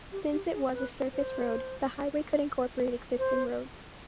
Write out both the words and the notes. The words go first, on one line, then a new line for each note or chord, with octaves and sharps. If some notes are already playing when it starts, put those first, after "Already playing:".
Since it was a surface road, the highway could incorporate existing roads.
G4
G4
G#4
B4
C5
C5